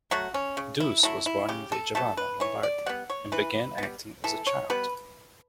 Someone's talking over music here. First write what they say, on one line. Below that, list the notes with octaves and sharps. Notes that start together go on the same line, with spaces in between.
Duse was born in Vigevano, Lombardy, and began acting as a child.
F#3 A3 F#4
C#4
C#3
E4
F#3 A3 E4
E4
C#3 G4
A4
F#3 A3 A4
B4
E3 C#5
D5
G3 B3 F#5
C#5
E3 B4
G3 B3
E3 A4
C#5
G3 B3 B4